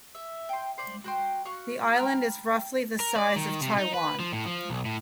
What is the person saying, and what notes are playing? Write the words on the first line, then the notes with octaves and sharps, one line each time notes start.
The island is roughly the size of Taiwan.
E5
G5 C6
C5 D5
F#4 G5 C6
F#4 F5 C#6
G5 A#5 B5 F6
A#4
D5
D#3
C3
D#4
B4
F3
A2
F3
B1
A2